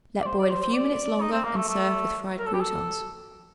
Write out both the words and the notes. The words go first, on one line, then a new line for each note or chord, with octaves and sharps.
Let boil a few minutes longer and serve with fried croutons.
D5
C5
D5
C5
C5
D5
D#4
C4
A#3
A3
A3
A#4
A4
G4
A4